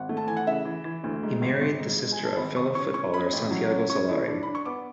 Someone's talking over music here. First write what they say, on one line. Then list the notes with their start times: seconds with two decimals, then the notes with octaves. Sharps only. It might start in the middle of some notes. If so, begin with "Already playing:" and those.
He married the sister of fellow footballer Santiago Solari.
Already playing: G#1 F#5
0.09 A3
0.17 A5
0.27 E3 G#5
0.37 F#5
0.47 C#3 E5
0.65 E3
0.85 E3
1.04 D2
1.23 G#2
1.41 G#1
1.61 G#1
1.80 G#2
1.99 G#2
2.12 G#5
2.18 G#3
2.25 A5
2.37 G#1 B5
2.56 G#1 C#6
2.75 C#4 C#6
2.94 C#4 C#6
3.13 C#4 B5
3.33 A1
3.51 F#3
3.70 C#4
3.90 C#4 C#6
4.08 E4
4.27 D4
4.43 D4 B5
4.55 C#6
4.65 B3 D6